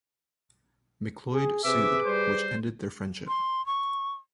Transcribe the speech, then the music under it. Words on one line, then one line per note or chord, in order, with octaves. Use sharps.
McLeod sued, which ended their friendship.
G#4
C3 G#4 B4 E5 D6
G3 C5
C6
C#6